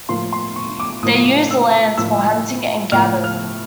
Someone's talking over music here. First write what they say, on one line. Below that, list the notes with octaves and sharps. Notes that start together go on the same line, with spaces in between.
They used the lands for hunting and gathering.
A2 F3 A#3 C6
C6
C#6
D6
A2 F3 A#3 D#6
E6
A2 F3 A#3 E6
A2 F3 A#3 F6
F6